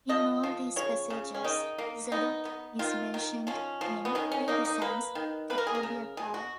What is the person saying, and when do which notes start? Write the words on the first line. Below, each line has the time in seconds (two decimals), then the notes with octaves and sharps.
In all these passages Zadok is mentioned in precedence to Abiathar.
0.09 F3 D#5
0.43 F3
0.76 C#3 C#5
1.10 C#3
1.34 C#4
1.44 D#3 D#4
1.78 A#3
2.12 B3 D#4
2.45 B3
2.79 D#3 F4
3.14 D#3
3.47 F3 C#4
3.81 F3
4.05 B3
4.15 D#3 C#4
4.32 C#4
4.48 A#3 D#4
4.65 D#4
4.82 A#3 B4
5.15 D#3
5.50 A#3 B4
5.58 A#4
5.67 G#4
5.75 A#4
5.83 C#3
6.17 B2 G#4
6.34 F#4